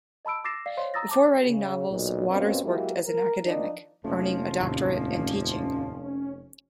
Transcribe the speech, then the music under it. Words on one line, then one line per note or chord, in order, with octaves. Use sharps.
Before writing novels, Waters worked as an academic, earning a doctorate and teaching.
D#5 A5 B5 E6 D7
D6 E6 A6 A#6 C7 E7
D5 F5 C7
C5 C#5 D#5 F5 C6
A#5 D#6 E6 A6 A#6
A5 D6
C#3
B1 A#2
G2 B2 A#3 C4 C#4
F#3 G#3 A#3 E4 G4
A#4
D#3 F3 D4 D#4
F1 F3 A3 A#3 C#4
D#2 A2 C3